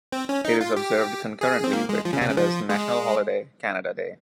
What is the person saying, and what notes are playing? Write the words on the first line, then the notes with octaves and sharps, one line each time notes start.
It is observed concurrently with Canada's national holiday, Canada Day.
C4
C#4
D#4
F4
G4
G#4
C4
A#3
G#3
F3
C#3
C3
C#3
F3
G#3